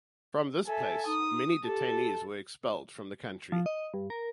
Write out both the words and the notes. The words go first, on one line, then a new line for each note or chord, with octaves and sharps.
From this place many detainees were expelled from the country.
A4 E5 G#5
D#4 D#6
G4 A4 A5
F3
D#5
G2
A#4